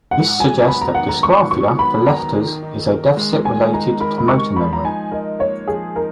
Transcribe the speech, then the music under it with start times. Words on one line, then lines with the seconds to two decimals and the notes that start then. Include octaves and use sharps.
This suggests that dysgraphia for letters is a deficit related to motor memory.
0.11 G#2 F#5
0.39 F#3 G#5
0.67 B3 B5
0.81 A#5
0.95 D#3 F#5
1.09 A#5
1.23 G#2 C#6
1.51 F#3 C#6
1.79 B3 B5
2.06 D#3 A#5
2.35 D#3
2.62 D#4
2.90 A#4
3.17 G#3
3.45 D#3 G#5
3.73 D#4 A#5
4.00 A#4 B5
4.18 B5
4.28 G#3 C#6
4.56 F3 B5
4.73 A#5
4.84 D#4 G#5
5.11 A#4 D#5
5.39 A#3 C#5
5.67 F3 G#4
5.96 D#4 A#4